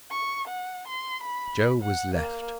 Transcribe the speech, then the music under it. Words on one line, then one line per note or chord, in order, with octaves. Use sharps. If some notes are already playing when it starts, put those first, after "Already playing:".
Joe was left.
C#6
F#5
C6
B5
F#5
A#3